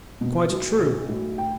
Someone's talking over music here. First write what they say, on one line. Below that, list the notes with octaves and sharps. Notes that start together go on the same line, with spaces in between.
Quite true!
B2
B1
B1
A2
G5